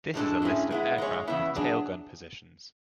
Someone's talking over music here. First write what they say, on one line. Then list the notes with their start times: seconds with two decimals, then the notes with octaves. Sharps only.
This is a list of aircraft with tail gun positions.
0.14 A2 G#3 B3 D4 A4
0.42 A2 G#3 C#4 E4
0.71 G#3 B3 E4
0.98 G#3 D4 G#4 C#5
1.28 E2 C#3 B3 E4
1.55 F#3 B3 D4 G#4